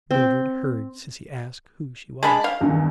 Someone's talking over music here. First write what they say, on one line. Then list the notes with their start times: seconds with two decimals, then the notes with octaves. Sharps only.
Mildred heard Cissy ask who she was.
0.11 C4
2.23 G#3 D4 B5
2.44 F5
2.61 E2 G2 D#3